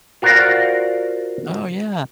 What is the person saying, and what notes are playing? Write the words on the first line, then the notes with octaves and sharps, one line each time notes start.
Oh, yeah.
F4 F#4 A#4 C5 D5 F5